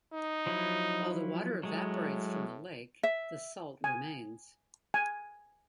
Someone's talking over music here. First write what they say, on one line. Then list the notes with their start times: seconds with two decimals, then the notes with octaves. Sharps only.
While the water evaporates from the lake, the salt remains.
0.13 D#4
0.46 F3 F#3 E4
1.63 A2 F#3 G#3
3.03 E5
3.84 G#5
4.94 G#5